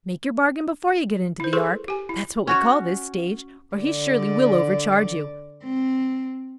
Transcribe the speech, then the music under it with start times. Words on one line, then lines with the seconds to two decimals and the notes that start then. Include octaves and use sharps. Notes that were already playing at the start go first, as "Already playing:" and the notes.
Make your bargain before you get into the Ark--that's what we call this stage--or he surely will overcharge you.
1.40 E4 C5
1.53 G#4 A4 B4 C5 C6 C#6
1.88 G4 G#5
2.09 E4
2.47 C#4 F#4 C#5
3.76 D3 D5
5.64 C4